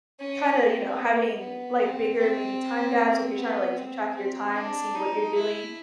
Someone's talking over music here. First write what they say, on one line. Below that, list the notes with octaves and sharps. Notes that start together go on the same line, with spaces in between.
kinda, you know, having, like, bigger maybe time gaps, if you're trying to, like, keep track of your time and seeing what you're doing
C#4
C4
B3
B3
C4
C4
B3
C4
C4
D4
D#4
E4